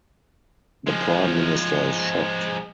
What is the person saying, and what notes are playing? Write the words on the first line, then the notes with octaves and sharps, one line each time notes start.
The Prime Minister is shocked.
F3 G#3